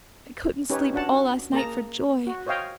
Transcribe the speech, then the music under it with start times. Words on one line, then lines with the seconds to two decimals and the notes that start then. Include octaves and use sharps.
I couldn't sleep all last night for joy.
0.70 C#4 D#4 G4 B4 C#5
0.93 C#4 D4 F#4 F#5 A5
1.53 A#3 G#4 A5 A#5
2.27 F#4
2.46 C5 C#5 D#5 F5 G5